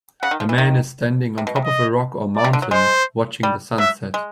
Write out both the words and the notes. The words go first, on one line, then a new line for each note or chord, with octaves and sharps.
A man is standing on top of a rock or mountain watching the sunset.
C#3 F#5
D#3
F3
E3
D#3
C3
B2
C3
D#5
D5
C3
D3
F#3
G#3 C5
G3
F#3 E5
G#3